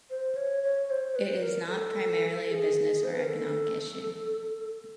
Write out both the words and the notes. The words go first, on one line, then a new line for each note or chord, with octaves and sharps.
It is not primarily a business or economic issue.
C5
C#5
C#5
C5
B4
A#4
A4
G#4
C5
B4
A#4
A4